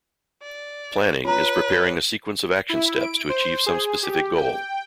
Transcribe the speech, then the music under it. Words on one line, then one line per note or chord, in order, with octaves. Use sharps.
Planning is preparing a sequence of action steps to achieve some specific goal.
D5
F4 B4 C#5 A#5
E4
D7
C5
G#4
G4
G5